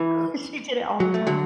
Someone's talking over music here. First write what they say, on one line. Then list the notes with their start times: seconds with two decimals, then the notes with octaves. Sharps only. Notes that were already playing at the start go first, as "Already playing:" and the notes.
Well, she did it all the time.
Already playing: E3
1.00 F#3
1.14 A3
1.27 D3 F#3